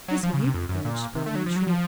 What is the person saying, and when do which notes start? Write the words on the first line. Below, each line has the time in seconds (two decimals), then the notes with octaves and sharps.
"This way," urged Bill Renshaw.
0.08 F#3
0.23 F3
0.33 C#3
0.44 C3
0.54 F2
0.69 F#2
0.85 A#2
1.15 C3
1.26 A3
1.36 F#3
1.46 F3
1.56 F#3
1.67 F3